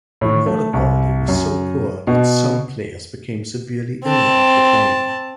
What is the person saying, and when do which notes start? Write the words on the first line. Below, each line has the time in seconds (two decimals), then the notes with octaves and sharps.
The water quality was so poor that some players became severely ill after playing.
0.21 A2
0.46 A3
0.73 C2
1.28 F#2
2.07 B2
4.04 C4 A5